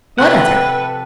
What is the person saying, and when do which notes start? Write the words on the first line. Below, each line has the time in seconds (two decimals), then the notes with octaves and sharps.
"What other?"
0.18 C3 F3 A4 B4 E5 F#5 G5